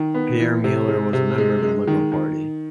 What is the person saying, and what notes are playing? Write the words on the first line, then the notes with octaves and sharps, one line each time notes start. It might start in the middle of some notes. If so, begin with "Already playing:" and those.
Pierre Muller was a member of the Liberal Party.
Already playing: D#3
B3
E3
C3
G#3
C3
G#3
G#3
D#3
D#3